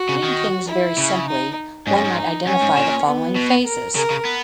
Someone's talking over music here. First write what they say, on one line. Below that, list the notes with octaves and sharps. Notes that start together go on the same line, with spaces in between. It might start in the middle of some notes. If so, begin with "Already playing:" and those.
Putting things very simply, one might identify the following phases.
Already playing: F#4
C#3
D#3
E4
C#3
D#4
G#2 C#4
F#2
G#2
D#4
F#2 C#4
G#2
A#2
B3
B2
A#4
C#3 A#4
C#3
B3